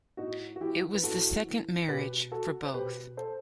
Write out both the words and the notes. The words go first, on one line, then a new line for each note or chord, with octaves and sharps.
It was the second marriage for both.
A2 D#4 F#4
F#4
E3 E4 G4
B4
A2 F#4 A4
E3
B2 G4 B4
F#4 A4
C5
B2 G4 B4
A4 C5